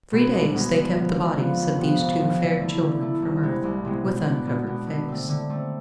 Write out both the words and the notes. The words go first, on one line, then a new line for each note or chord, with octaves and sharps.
Three days they kept the bodies of these two fair children from earth, with uncovered face.
B2 G#3 B3
C2
B2 G#3 B3
D3
F3 B3 F4
D3
F3 B3 F4
F2
C3 F3 B3
F2
C3 F3 B3
D3
A3 E4
D3
A3 E4
C2
C3 G#3 B3
C2
C3 G#3 B3
B2
B3 D4
B2
B3 D4
D3
A3 C4
D3
A3 C4